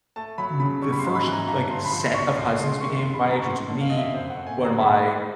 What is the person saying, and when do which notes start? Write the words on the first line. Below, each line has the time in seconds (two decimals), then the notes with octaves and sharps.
n the first, like, set of cousins became my age, which was me, one of my
0.16 A3 A5
0.38 F#3 B5
0.60 C#3 B5
0.82 G3 C#6
0.92 B5
0.99 C6
1.04 G#2
1.15 B5
1.27 E3
1.32 A#5
1.48 G2 A#5
1.70 D3 C6
1.85 B5
1.92 F3 C6
2.14 C#2 C#6
2.37 C#2 C6
2.59 G#3 C6
2.81 D#3 C#6
2.97 C6
3.04 F#2
3.14 B5
3.25 F#3
3.30 A#5
3.42 C#6
3.47 F#2 C6
3.69 D3
3.81 F5
3.90 F#2 D#5
3.98 E5
4.14 F2 C5
4.30 F#5
4.35 A3
4.47 G#5
4.57 D3
4.63 A#5
4.80 G#3 B5
5.02 G#3 B5